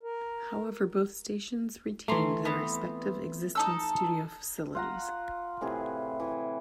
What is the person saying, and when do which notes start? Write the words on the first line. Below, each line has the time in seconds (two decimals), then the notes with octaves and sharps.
However, both stations' retained their respective existing studio facilities.
0.03 A#4
2.08 E3 A3 A#5 C6
2.45 B3 C4
3.55 D#4 A4 E6
4.75 F4 F#5 A#5
5.61 A2 C3 E3 G#4
6.20 E3